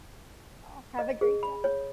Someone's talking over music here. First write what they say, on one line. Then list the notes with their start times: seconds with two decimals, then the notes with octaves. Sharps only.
Aw, have a great day.
0.99 D#5
1.21 G#4
1.43 B5
1.64 C#5